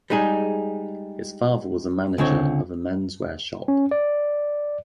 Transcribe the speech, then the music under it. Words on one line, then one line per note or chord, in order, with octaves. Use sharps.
His father was a manager of a menswear shop.
G3 G#3 D#4 G#4
C#2 D3 C4 C#5
C#4
D5